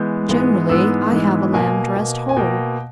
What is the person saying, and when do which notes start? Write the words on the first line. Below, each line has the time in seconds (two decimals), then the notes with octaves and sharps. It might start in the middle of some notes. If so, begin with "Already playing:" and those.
"Generally, I have a lamb dressed whole."
Already playing: E3 G#3 B3 G6
0.28 G#2 E3 G#3 B3
0.69 G#2 E3 G#3 B3 E6
1.11 G#2 E3 G#3 B3
1.53 B2 A#3 G#5
1.96 B2 A#3
2.29 G#5
2.37 B2 A#3 G5